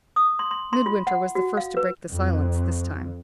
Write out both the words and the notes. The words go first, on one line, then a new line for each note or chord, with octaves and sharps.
Midwinter was the first to break the silence this time.
D#6
C6
C6
C6
F4
F#5
F#4
F5
B4
F2